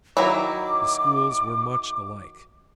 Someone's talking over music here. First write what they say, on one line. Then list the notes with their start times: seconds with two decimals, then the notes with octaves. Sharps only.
The schools were much alike.
0.17 D#3 F#3 E4 D6